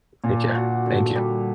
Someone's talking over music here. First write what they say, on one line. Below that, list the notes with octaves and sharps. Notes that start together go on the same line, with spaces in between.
Take care, thank you.
A#2 D4
F#4
D3
G3